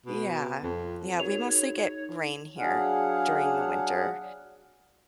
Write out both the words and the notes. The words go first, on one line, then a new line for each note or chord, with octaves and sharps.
Yeah, yeah, we mostly get rain here during the winter,
B2
F2
D#4 F#4 G#4 A#4 C#5 F7
F#3 D4 G#4 F5 F#5